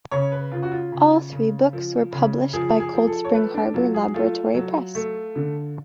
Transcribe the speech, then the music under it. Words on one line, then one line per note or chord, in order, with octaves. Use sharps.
All three books were published by Cold Spring Harbor Laboratory Press.
C#3 C#5
B4
C#3 F4
F#4
F4
C#3
C#3
F3
C#3
F3 G#4
G#4
F3
A4
C#5
A3 B4
D4
F#3 F4
G#4
A3 F4
F#3
A3
D3